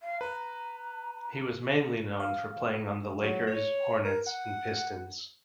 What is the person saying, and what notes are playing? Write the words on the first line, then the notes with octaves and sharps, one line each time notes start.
He was mainly known for playing on the Lakers, Hornets and Pistons.
F5
B4 A#5
F5
F#3
C#5
A#4
F#5